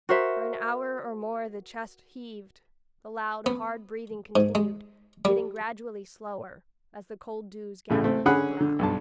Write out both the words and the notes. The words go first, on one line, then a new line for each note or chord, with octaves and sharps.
For an hour or more the chest heaved, the loud, hard breathing continued, getting gradually slower, as the cold dews gathered on the brow.
F#4 A#4 C5 E5
B3
G#2
G#3
G3
A1 C#3 A3
A3 C4
D3 C#4 G#4 F#5 B5 F#6
D3
B1 G2 A5